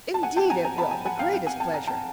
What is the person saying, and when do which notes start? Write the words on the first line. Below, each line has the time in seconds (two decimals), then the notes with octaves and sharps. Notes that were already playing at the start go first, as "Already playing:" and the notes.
"Indeed it will; the greatest pleasure."
0.14 A5
0.23 F#5 G#5
0.36 G5 A5
0.50 G#5 A#5
0.65 G#5 A#5
0.78 A5 B5
0.91 G#5 A#5
1.05 F#5 G#5
1.19 F5 G5
1.33 F5 G5
1.47 F#5 G#5
1.60 G5 A5
1.74 G#5 A#5
1.87 G5 A5